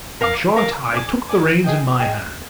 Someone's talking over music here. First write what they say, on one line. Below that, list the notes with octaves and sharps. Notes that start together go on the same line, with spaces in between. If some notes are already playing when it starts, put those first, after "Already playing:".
In short, I took the reins in my hand.
A#4 F5 A#5 D6
A#4 F5 A#5 D6
D5 G#5 D6
D5 G#5 D6
G#4 D#5 G5
G#4 D#5 G5